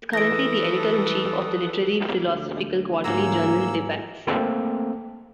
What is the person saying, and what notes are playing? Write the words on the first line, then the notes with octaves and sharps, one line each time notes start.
He is currently the Editor-in-chief of the literary-philosophical quarterly journal "Debats".
E3 A4 B4 D#6 A#6 D7
D2
G#2 F#3 A#3 E6
A3 A#3 C4 A4